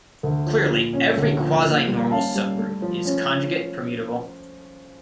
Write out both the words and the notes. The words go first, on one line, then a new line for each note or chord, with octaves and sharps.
Clearly, every quasinormal subgroup is conjugate-permutable.
D2
F3
A#2
C#4
D2
F3
A#3
G3
C#4 F5 A5
G3
A3
F3
C#4